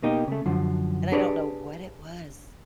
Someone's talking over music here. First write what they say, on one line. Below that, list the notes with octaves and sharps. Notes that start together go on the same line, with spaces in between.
and I don't know what it was
B2 A#3 D#4 G4
C#3 A3
F#2 D3 F3
D4 G4 G#4 B4 C#5 D5